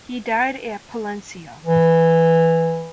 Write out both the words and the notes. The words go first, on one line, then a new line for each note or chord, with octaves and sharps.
He died at Palencia.
E3